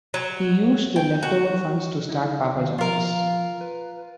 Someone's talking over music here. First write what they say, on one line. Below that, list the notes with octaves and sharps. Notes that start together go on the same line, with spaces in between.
He used the leftover funds to start Papa John's.
F#3
G5
F#4
D#4 E4
D#3 F5
F3 F4 A#4
B4